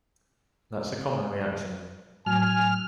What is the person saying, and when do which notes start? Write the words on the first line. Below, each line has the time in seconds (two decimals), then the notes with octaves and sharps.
That's a common reaction.
2.26 A2 F#3 G#5 F6